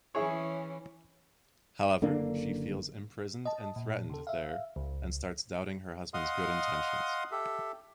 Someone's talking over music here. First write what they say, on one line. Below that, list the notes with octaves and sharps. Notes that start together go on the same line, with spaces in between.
However, she feels imprisoned and threatened there and starts doubting her husband's good intentions.
E3 C#4 E4 G#4 C#5
F#1 D3 A#3 D4
D#5 A5
A#2
C#3 A4
E5 F5
C#2
D#5 F5 F#5 C6 D#6
G4 A4 E5